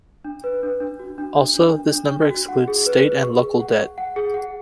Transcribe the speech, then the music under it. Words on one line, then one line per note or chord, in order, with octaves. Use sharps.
Also, this number excludes state and local debt.
D4
B4
D4
D4
F#4
D4
D4
D4
D4
D4
D4
F#4
F#5
G#4
B4
G#4
C#6
G#4
F#5
F#5
F#5
G#4
F#5